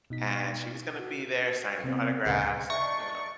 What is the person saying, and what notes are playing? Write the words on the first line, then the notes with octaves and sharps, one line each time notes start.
and she was gonna be there signing autographs and, you know,
B2 D#4 B6
F#4
C3 B3 C4
D2 A#2 C#3 G#4 B4
D4 D#4 D5 E5 C#6